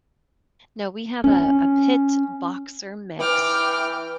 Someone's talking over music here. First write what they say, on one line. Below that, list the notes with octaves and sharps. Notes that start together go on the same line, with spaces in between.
No, we have a a pit-boxer mix,
C#4
E3 G5 D6 F6